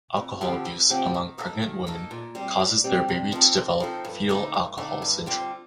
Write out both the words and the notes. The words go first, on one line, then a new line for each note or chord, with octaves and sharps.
Alcohol abuse among pregnant women causes their baby to develop fetal alcohol syndrome.
F2
D3 F3 C4 G4
F2
D3 F3 C4 G4
D#3
A#3 D#4 A4
D#3
A#3 D#4 A4
A#2
G3 C4 G4
A#2
G3 C4 G4
C3
F3 C4 D#4 A4
C3
F3 C4 D#4 A4
G2
D3 A3 D#4
G2
D3 A3 D#4
G2
D3 G3 C4 F4